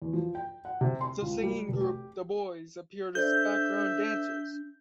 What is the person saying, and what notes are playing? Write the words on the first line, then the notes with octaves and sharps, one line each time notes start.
The singing group The Boys appeared as background dancers.
E2
F3
G5
F#5
C3
C6
C#2
G3
F1
G4
D4 A4 C5 D5 E5 G6